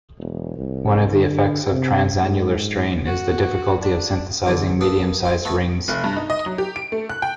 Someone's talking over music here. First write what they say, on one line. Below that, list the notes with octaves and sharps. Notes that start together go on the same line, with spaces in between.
One of the effects of transannular strain is the difficulty of synthesizing medium-sized rings.
E1
C2
D3
C3
G#2
F#4
D4
E2 D3 D4
A#3 A4 B4 D#6
C5
A3 B3 A4 B4 G#5
F1
G2
D#4
D#5
F#3
G4
D7
A3
F#6
G5